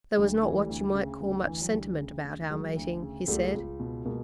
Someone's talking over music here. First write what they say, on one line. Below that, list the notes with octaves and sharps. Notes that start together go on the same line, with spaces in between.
"There was not what you might call much sentiment about our mating," he said.
D2 F#3 G#3
E3
G3 A3
D2
C#3
D2
E3
F#3
D2 G3
C#3
D2
E3 F#3 G#3
D2
C#3
C#2 G3 A3
C#2
B2
B2 G#3 A#3